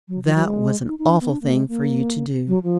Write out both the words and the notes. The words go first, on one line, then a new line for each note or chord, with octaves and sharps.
That was an awful thing for you to do.
F#3
F3
F#3
G#3
D#4
D#4
D4
B3
D4
A#3
G#3
A#3
F#3
F3